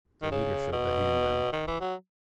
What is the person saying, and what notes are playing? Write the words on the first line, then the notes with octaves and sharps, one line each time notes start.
The leader showed the handgun.
D#3
C#3
B2
D#3
E3
F#3